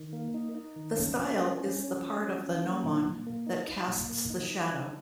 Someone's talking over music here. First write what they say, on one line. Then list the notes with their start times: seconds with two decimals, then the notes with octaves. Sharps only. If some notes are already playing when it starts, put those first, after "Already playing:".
The style is the part of the gnomon that casts the shadow.
Already playing: D#3
0.13 A#3
0.34 D#4
0.55 D#4
0.76 D#3
0.97 C#4
1.18 F3
1.39 C#4
1.60 C#4
1.80 C#4
2.01 F3
2.22 C#4
2.43 C#4
2.64 A#3
2.84 A#2
3.05 A#2
3.26 A#3
3.47 D#4
3.67 D#4
3.88 A#2
4.09 A#3
4.30 D#4
4.50 F3
4.71 D#4